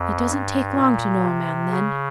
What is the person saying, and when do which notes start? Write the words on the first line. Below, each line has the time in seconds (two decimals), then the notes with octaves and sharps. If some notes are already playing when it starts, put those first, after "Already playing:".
It doesn't take long to know a man then.
Already playing: F2
0.29 G2
0.76 A#2
1.24 C3
1.71 C#3